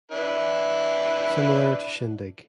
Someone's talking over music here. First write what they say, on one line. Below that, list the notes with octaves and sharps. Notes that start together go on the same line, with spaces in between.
Similar to Shindig!
D4 E4 B4